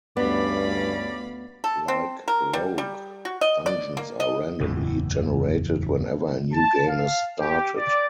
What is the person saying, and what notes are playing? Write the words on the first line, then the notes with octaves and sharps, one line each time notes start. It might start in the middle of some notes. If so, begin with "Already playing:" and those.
Like "Rogue", dungeons are randomly generated whenever a new game is started.
D2 G2 B3 C#4 D5 F5 B5
A4
C4
A#4
G3
G3
F#4
D#5
D5
A#3
D#5
F#1 E2 A2 E3
A5
F5
G4
D5